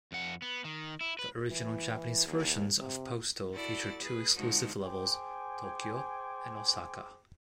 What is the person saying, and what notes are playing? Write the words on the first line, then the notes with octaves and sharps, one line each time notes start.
The original Japanese versions of "Postal" featured two exclusive levels, "Tokyo" and "Osaka".
F2 F#5
B3
D#3
E4
B4
E3
D#2
C3
E4 F#4 A4 D5 A6
G#4 B4
D3 F3 G#3 D#4 F#4
G#4 C5 G5 G#5 D6